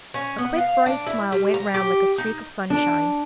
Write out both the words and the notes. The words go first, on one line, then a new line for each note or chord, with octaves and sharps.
A quick, bright smile went round like a streak of sunshine.
C#4
B3
F5
D4
E4
G3
A#5
G4
D#4
D4